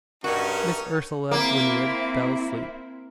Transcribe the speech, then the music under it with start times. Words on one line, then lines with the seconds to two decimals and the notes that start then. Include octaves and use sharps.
Miss Ursula Winwood fell asleep.
0.24 G2 C#4 D#4 F#4 A#4
1.31 A#3 C4 E4